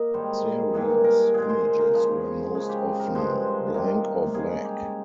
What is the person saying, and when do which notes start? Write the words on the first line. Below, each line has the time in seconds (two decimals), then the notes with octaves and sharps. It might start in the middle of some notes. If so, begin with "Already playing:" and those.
Serios' images were most often blank or black.
Already playing: A#3 D#5
0.14 G#2 D#3 G3 C5
0.44 G#4
0.73 G2 D#3 A#3 G#4
1.04 A#4
1.34 A#2 G#3 G#4
1.49 C5
1.79 A#4
1.94 C#3 F3 G#3
2.55 C#3 F3 G#3 G#4
2.69 G4
3.00 A#4
3.15 G2 F3 G#3 C5
3.74 C3 D#3 A#3 A#4
4.34 C#3 G#3 G#4
4.65 G4